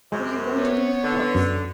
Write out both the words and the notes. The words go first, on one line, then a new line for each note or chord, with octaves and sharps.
What are you going to do with the books?
F#2 C3 G#3
B3 C#5
D3
F#2